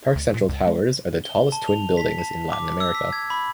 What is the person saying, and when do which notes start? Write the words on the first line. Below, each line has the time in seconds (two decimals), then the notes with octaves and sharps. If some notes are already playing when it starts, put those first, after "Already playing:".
Parque Central towers are the tallest twin buildings in Latin America.
0.16 D2
0.34 A#2
0.49 C#2
0.67 G#3
1.24 G7
1.52 A5
1.68 F7
1.97 B6
2.19 A5
2.52 D6
2.80 E6
2.95 B6
3.13 G#6
3.30 B5